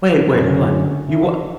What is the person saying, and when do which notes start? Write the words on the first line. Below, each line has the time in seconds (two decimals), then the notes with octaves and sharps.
Wait, wait, hold on, you wha
0.25 F#2 D3 F#3 C#4
1.08 E4